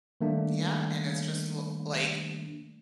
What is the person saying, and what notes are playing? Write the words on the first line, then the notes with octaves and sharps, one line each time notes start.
Yeah, and it's just l like,
D#3 G3 A3 A#3 D4